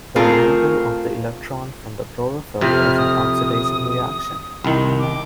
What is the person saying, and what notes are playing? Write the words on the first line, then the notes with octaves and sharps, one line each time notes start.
The removal of the electron from the chlorophyll is an oxidation reaction.
A3 C4 F4 G#4 A#4
F2 C3 F6
D#6
C2 D#3
D6